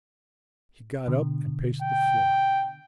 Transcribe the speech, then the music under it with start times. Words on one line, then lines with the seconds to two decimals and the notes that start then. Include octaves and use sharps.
He got up and paced the floor.
1.08 B2 D3
1.81 G5